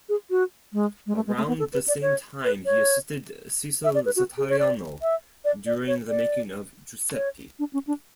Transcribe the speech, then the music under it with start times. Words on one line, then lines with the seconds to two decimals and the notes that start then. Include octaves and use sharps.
Around the same time he assisted Cecil Satariano during the making of Giuseppi.
0.09 G#4
0.30 F#4
0.73 G#3
1.07 G#3
1.16 A3
1.27 G#3
1.37 A3
1.48 B3
1.59 A4
1.73 B4
1.88 D5
2.02 C#5
2.44 B4
2.66 C#5
3.84 E5
3.95 D5
4.06 B4
4.16 F#4
4.38 G#4
4.50 C#5
4.59 D5
5.02 E5
5.45 D5
5.66 D5
5.87 C#5
6.09 D5
7.16 C#5
7.59 D4
7.73 C#4
7.87 D4